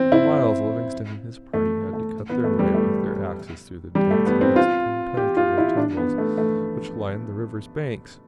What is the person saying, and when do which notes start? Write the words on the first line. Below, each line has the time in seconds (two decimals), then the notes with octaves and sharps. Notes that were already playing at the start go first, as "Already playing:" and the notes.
For miles Livingstone and his party had to cut their way with their axes through the dense and almost impenetrable jungles which lined the river's banks.
Already playing: C4
0.12 E4
1.53 A3
1.93 A3
2.30 B3
2.44 A3
2.59 G3
2.74 A3
3.95 G3
4.11 A3
4.26 B3
4.41 C4
4.56 F4
5.17 G4
5.37 F4
5.58 E4
5.77 D4
5.97 B3
6.18 A3
6.38 A3